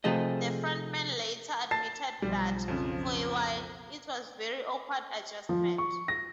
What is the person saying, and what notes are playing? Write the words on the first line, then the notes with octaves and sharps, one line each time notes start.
The frontman later admitted that, for a while, it was a very awkward adjustment.
C3 F3 A3 G#4 D#5
A5 A6 C7
B1 F3 G3
F2 C#3
F3
C#6
A#6